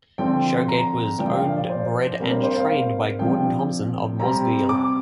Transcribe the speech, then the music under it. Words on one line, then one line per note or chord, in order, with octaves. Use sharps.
Show Gate was Owned Bred And Trained by Gordon Thomson of Mosgiel.
D3 F3 C4 G5
A#5
A#2 F3 D4 G5
F5
F5
D5
C5
C3 G3 A#3 D4
C5
C5
F5
C3 F3 D4 G5
C3 G3 C4 A#5
D6